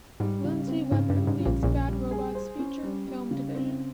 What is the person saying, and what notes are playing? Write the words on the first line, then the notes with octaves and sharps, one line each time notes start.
Lindsey Weber leads Bad Robot's feature film division.
G#2 G3
C#3
C4
G#2 C#3
G2
G3
G#2
C#3
A#1 A#2
A#1 A#2 C#4
G3
G#4
C5
C#4
G3
G3
C#3
C4